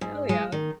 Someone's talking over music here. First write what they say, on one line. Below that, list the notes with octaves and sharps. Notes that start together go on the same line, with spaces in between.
Oh, yeah,
G#2
G#3
D#3